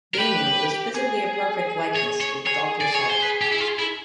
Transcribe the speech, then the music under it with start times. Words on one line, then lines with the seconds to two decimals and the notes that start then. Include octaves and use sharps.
Daneel is physically a perfect likeness of Doctor Sarton.
0.14 A#4
0.18 G4 B4
0.95 G#4
1.96 C#5
2.21 C#5
2.46 G#4 C#5
2.81 D5
2.95 C#5
3.09 C5
3.22 B4
3.41 G4
3.52 E4
3.61 F4
3.79 E4